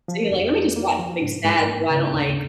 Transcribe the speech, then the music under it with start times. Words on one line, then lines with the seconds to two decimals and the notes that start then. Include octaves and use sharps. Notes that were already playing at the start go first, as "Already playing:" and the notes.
So, you're like, "Let me just watch something sad so I don't, like,
0.08 F3
0.31 F2
0.54 D#4
0.76 A#3
0.99 F3
1.21 G#2
1.45 G#2
1.67 A#3
1.89 C#3
2.12 D#2